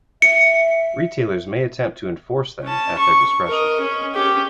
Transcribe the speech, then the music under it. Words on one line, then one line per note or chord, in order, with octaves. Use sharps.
Retailers may attempt to enforce them at their discretion.
E5 C#7
C#4 A5
C#6
A#4 D#5
C#4
C#4 G4